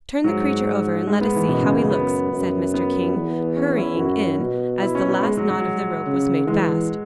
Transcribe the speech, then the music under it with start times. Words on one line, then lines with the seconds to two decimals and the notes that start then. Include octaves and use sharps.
"Turn the creature over and let us see how he looks," said Mr. King, hurrying in as the last knot of the rope was made fast.
0.24 G#2 F#3
1.07 G#2 G#3
1.21 B3
1.36 E3
1.48 F#2 B2
1.63 C#3
1.77 G#3
1.91 B3
2.32 F#2
2.74 B3
3.15 E2
3.57 C#4
3.78 E4
3.98 F#2 F#4
4.40 B2
4.81 E4
4.95 C#4
5.09 B3
5.23 G#3
5.37 F#3
5.50 F#3
6.06 C#3
6.47 E3 G#3